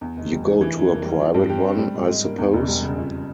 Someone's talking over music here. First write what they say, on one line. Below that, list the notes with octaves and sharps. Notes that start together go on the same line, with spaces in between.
You go to a private one, I suppose?
E2
F1
G3
E3
E3
F2
A#3
G3
F3
G2
G4
C4
G3
G#2
G#2
A#3
E2
E1
G3
C#3
F2